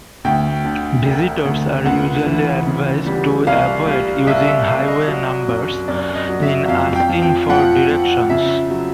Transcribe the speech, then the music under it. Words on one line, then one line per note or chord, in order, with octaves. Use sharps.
Visitors are usually advised to avoid using highway numbers in asking for directions.
D2 G5
D3
E1
D2
C#2 F#5
E3
C#3
G3
C2 F5
G3
C2 E5
E5
C2 F5
D#5
F#3
F#2
F#2 D5
D#5
F#3
E5
F2 F5
G5
F3
G5
F3 F#5
F3
C#3 E5
F#3